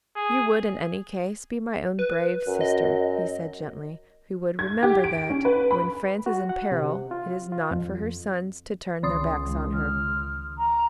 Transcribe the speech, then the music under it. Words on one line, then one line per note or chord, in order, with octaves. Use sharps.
"You would in any case be my own brave sister," he said gently, "who would remember that, when France is in peril, it is not for her sons to turn their backs on her."
G#4
B4
F#2
D#5
G#6
G4
D7
C#4
B4
B5
F#4
F#5
C3
F4
F4
F2
C#2 D#3 C6 D#6
F6
A#5